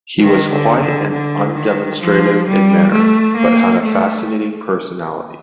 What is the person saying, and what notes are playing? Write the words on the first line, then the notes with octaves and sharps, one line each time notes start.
He was quiet and undemonstrative in manner, but had a fascinating personality.
D#3
D3
D3
D3
D#3
F3
G3
A3
A#3
A3